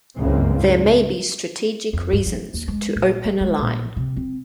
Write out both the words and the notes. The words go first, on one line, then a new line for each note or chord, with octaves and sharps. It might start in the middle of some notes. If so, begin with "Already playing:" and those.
There may be strategic reasons to open a line.
F#1 C#2 G2 E3 A#3 C4
G#2
F2
G2
F3
D#2
G#3
A#1
F3
G#3
A#1
C3
C4